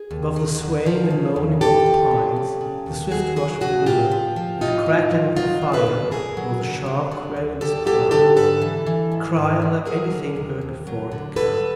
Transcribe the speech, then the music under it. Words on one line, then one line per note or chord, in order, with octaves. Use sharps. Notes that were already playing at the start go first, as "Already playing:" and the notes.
Above the swaying and moaning of the pines, the swift rush of the river, and the crackling of the fire rose a sharp, querulous cry,--a cry unlike anything heard before in the camp.
Already playing: G#4
D#2
F#3
D3
F3
C#3
E2
E2 G4 A4
F3
C#3
F#3
C#3
D#2
D#2 F#4 G#4
F#3 F#4 G#4
C#3 F#4 G#4
A2 F4 G4
F3
F3
A2 D#4 F4
A2
F3
F#3 D#4 F4
D3
A4 B4
F#2
F#2 G#4 A#4
F#3
D3
F#3
D3
D2
D2 G4 A4
F#3 G4 A4
D3 G4 A4
G#2 A4 B4
E3
E3
G#2
G#2
E3
F#3 G#4 A#4
D3
D#2
D#2
F#3
D3
F#3 A4 B4